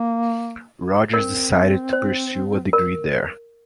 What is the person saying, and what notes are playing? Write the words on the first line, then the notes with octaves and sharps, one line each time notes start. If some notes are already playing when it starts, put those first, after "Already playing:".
Rogers decided to pursue a degree there.
Already playing: A#3
C4 A#4
C5
A#4